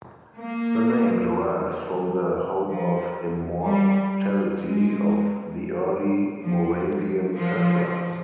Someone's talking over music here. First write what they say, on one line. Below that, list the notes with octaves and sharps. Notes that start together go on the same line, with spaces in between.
The name derives from the "hope of immortality" of the early Moravian settlers.
A#3
F3
G3
G#3
F3
F3